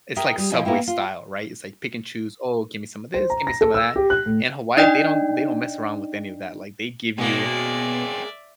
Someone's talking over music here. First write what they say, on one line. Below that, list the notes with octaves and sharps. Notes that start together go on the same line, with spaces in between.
it's like Subway style, right? It's like pick and choose, "Oh, give me some of this, give me some of that." In Hawaii, they don't they don't mess around with any of that, like, they give you
G#4 A#4 E5 G5
G3 G#4
F3 E4 G#4 D#5 G#5
A#3 B3 E4 G5
F4
C5
A#5
A#6
A4
E6
G4
F#6
A2
D4 D#4 D5 D#5 G5
B2 G#3 A#3 C4 C#4 D5 E5